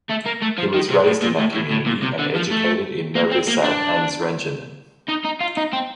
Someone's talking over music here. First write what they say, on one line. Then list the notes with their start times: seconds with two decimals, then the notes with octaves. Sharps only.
He was raised in that community and educated in Novi Sad and Zrenjanin.
0.09 A3
0.26 A#3
0.42 A3
0.58 F3
0.74 D#3
0.90 C3
1.06 A2
1.22 A#2
1.38 A2
1.54 A2
1.71 A2
1.86 A#2
2.03 C3
2.19 D3
2.35 F3
2.51 A3
3.15 A#3
3.31 C4
3.47 A#3
3.64 D4
5.09 D#4
5.25 D#4
5.41 F4
5.57 D#4
5.73 C4